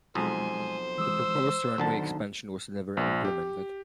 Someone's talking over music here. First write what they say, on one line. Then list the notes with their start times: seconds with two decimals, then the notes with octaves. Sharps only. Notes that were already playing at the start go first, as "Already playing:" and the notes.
The proposed runway expansion was never implemented.
0.15 B1 F2 B2 G#3 C5 G#5
0.97 E3 G#3 D#6 E6
1.78 B1 D3 D#3 D#4 A5
2.97 A#1
3.25 G4